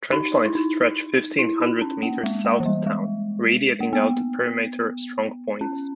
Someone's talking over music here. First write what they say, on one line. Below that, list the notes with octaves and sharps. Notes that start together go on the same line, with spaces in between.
Trenchlines stretched fifteen hundred meters south of town, radiating out to perimeter strong points.
D#4
E4
D#4
E4
D#4
C#4
A#3
G#3
A#3
E3
G3
G#3
A#3
B3
C#4